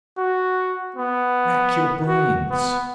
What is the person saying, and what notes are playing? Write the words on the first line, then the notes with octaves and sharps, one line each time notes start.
Rack your brains!
F#4
B3
F#4
B3